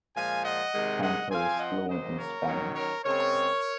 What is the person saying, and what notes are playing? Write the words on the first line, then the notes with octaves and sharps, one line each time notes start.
Cantor is fluent in Spanish.
A#2 F3 G#3 F5 G#5
D#5 F#5
C3 D#3 G#3
D#5 F#5
F3 C4 F5 G#5
D#5 F#5
C#3 F#3 A#3 C5 D#5
A#4 C#5
D#3 F#3 C#4
A#4 C#5
C#3 G#3 C4 A#4 C#5